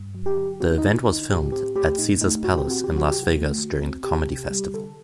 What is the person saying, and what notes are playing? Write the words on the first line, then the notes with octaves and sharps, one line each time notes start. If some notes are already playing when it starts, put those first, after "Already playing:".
The event was filmed at Caesar's Palace in Las Vegas during The Comedy Festival.
Already playing: G2
F#3
G4
D3
C4 F#4
D#4
D3
D#4
D3
D#4
A2 G4
C4 G4
A3 G4
A#2 D#4
A3 D#4
A#2 F#4
G4
C4 F#4
G4
F#3
F#4
C3 G4
F#4
A3
D3
C4
C3 G4
C3
G3
D3 A4